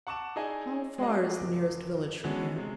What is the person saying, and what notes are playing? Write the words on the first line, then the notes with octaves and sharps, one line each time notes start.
"How far is the nearest village from here?"
F#5 A5 C#6 D6 E7
D#4 E4 G#4 D5 D#5 G#5
G#3 C4 F#4 D5 D#5
F#1 D6
D3 E3 G#3 B3 C#4 F#4
C3 G#3